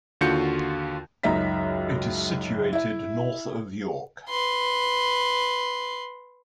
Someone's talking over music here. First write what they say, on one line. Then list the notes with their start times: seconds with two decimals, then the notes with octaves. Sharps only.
It is situated north of York.
0.21 D#2 D3 F4 F#4 G6 C#7
1.23 C#2 F#2 D#4 E5 A#5 B6
2.73 E4 E5
4.30 B4 C6